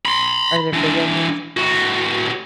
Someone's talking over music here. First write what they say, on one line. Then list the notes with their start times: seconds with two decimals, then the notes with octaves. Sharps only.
Are there video games involved?
0.06 B5 C6
0.73 E3 D4
1.57 A2 F#4